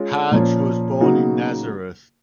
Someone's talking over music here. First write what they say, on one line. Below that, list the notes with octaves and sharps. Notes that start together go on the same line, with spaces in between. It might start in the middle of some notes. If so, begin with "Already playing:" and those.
Haj was born in Nazareth.
Already playing: G#3 C#4 F4
A#2 F3 A#3 C#4
C#3 F#3 A#3 D#4 F#4